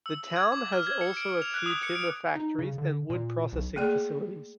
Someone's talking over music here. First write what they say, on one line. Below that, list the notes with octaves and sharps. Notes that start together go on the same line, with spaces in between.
The town has also a few timber factories and wood processing facilities.
E6
G#6
D6
F6
G#6
C#7
D7
F7
F#6
D#6
C#7
D7
D#4
C#3
D3
A#2
B1
A3 A#3 G#4 D5